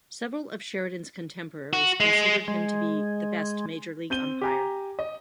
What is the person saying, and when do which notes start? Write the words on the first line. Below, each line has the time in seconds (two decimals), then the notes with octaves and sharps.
Several of Sheridan's contemporaries considered him to be the best major league umpire.
1.73 F#4
2.00 G#3
2.48 G#3
4.10 C4 G6 D#7 G7
4.41 G4 G#5 A#5
4.99 D#5